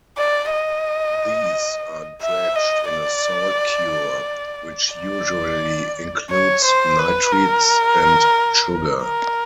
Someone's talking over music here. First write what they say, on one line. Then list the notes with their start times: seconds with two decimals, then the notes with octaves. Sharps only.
These are dredged in a salt cure, which usually includes nitrites and sugar.
0.18 D5
0.52 D#5
2.22 E5
2.56 D#5
2.90 D5
4.94 D5
6.30 C#5
6.65 C5
6.98 B4
7.32 A#4
9.03 A#4